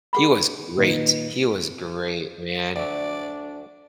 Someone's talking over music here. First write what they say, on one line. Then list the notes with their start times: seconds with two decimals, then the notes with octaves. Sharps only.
he was great. He was great, man,
0.13 G#4 F#5 B5
0.77 A#2 D#3 B4
2.76 D2 F#3 D4 D5